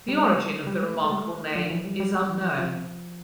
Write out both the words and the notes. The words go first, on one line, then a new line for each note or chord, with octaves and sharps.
The origin of the remarkable name is unknown.
G3
A3
G3
G3
A3
A3
G3
A3
F3
E3
G3
G3
G3
E3
F3
F3